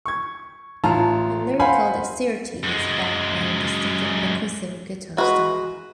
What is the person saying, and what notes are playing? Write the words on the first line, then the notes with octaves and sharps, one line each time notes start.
Her lyrical dexterity is backed by her distinctive percussive guitar style.
C#6 G#6
A1 F4 A5 A#5
C5 F5 F#5 G#5 B5
F#2 G#3
G#3 F#4 G#4 B4